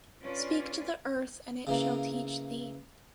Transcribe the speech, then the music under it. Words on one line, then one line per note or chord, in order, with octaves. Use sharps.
Speak to the earth and it shall teach thee.
C#4 D4 F4 B4 D5
C#3 E3 A#3